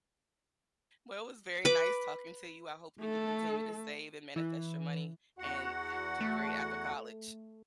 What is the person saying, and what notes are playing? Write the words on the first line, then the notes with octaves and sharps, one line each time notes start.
Well, it was very nice talking to you. I hope you do continue to save and manifest your money and h do great after college.
B4 D6
A3 A4
E3
E2 F#4 F#5
A3